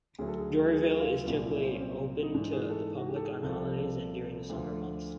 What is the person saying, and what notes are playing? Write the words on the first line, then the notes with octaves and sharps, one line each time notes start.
Dairyville is typically open to the public on holidays and during the summer months.
D2 D3 F#3 G#4
A4
G#4
G#4
E4
F4
C2 A#2 F#3 F4
E4
C4
C#4
C4
D#4
G#2 E3 D4
G#4
A4
F#4
G4
A4
G#4
C2 C3 F3 A4
D2 D3 F3